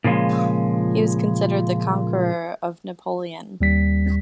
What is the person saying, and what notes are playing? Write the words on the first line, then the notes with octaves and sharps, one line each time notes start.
He was considered 'the conqueror of Napoleon'.
A#2 C#3 F3 G#3
D#2 G3 B6